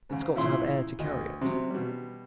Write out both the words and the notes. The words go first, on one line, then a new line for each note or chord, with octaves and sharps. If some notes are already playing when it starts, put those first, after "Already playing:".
It's got to have air to carry it!
G#2 C#3
A#2 C#3 E4 C#5 C6
D2 D#5
C3 F#3
B2 G3